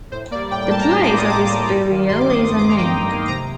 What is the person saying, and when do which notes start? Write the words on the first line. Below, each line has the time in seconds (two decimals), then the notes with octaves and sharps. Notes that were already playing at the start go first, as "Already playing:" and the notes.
The place of his burial is unknown.
0.11 A2 C5
0.31 A#3 D5
0.35 G3
0.51 A2 G5
0.62 G5
0.71 G3 A#3 A5
0.81 A#5
0.91 A2 C6
1.04 D6
1.11 G3 A#3
1.17 D#6
1.30 A2 D6
1.50 G3 A#3
1.70 G2
1.90 D#3 A#3
2.09 G2 C6
2.20 D6
2.30 D#3 D#6
2.32 A#3
2.49 G2 D#6
2.59 D6
2.69 A#3 A#5
2.73 D#3
2.78 G5
2.89 G2
3.08 D#3 A#3
3.28 C3 A#5